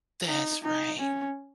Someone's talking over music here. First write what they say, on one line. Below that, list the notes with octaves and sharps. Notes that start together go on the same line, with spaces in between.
That's right.
D#4
D#4
C#4